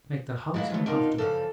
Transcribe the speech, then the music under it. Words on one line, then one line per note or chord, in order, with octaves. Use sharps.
I make the house uncomfortable.
A2 E3 F#3 G#3 E4 F5
C#3 A3
D#3 B3 D4 D#4 F4
C#3 E3 F3 A4